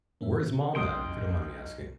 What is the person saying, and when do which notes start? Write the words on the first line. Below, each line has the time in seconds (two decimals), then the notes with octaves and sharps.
Where's mom at? If you don't mind me asking.
0.21 A#3 C#4 E5
0.75 B1 G5 C6 D#6